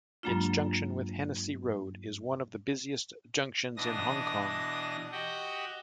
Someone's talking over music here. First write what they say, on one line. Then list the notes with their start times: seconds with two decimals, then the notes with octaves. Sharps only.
Its junction with Hennessy Road is one of the busiest junctions in Hong Kong.
0.23 G2 F#3 G#3 A#3 D4 F4
3.77 B2 E3 D4 D#6 A#6
5.12 F#4 G4 D#5 F#5 G5